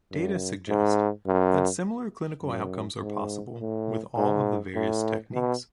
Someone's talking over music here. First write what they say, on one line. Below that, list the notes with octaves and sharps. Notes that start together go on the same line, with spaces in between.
Data suggest that similar clinical outcomes are possible with all of the various techniques.
F#2
G#2
F#2
F#2
G#2
A2
G#2
A2
B2